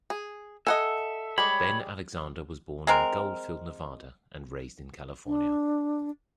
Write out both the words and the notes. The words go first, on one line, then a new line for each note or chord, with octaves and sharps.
Ben Alexander was born in Goldfield, Nevada, and raised in California.
G#4
A4 D#5 E5 F#5 G#5
G3 G#3 C#5 D5 B5
G#3 C4 A#4
D4